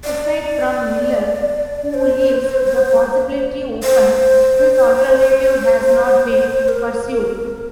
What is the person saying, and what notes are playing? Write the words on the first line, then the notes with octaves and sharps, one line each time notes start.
Aside from Miller, who leaves the possibility open, this alternative has not been pursued.
D5
C5
C5
A#4